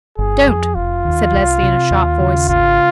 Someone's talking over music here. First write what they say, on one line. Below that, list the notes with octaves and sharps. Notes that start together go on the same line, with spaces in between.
"Don't," said Leslie in a sharp voice.
G1 G#4
F2
F1 F4
D#2
C2
C3
D#2
C#3
G#1 F4